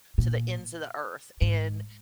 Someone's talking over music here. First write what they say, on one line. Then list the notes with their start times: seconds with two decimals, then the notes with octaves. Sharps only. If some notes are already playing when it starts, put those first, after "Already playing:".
to the ends of the earth, and,
0.18 A#2
1.41 G#2